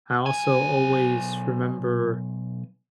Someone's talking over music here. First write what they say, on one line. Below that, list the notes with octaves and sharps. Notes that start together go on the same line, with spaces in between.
I also always remember,
B1 G#5